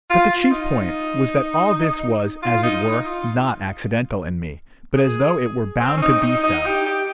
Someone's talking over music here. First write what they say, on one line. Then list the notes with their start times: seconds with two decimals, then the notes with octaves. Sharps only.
But the chief point was that all this was, as it were, not accidental in me, but as though it were bound to be so.
0.10 F4
0.30 F4
0.51 D#4
2.42 F4
2.63 D#4
2.84 D#4
3.05 F4
4.95 G#4
5.80 C4
5.97 C#4
6.02 D#4
6.22 D#4
6.43 D#4
6.66 G4
6.86 G4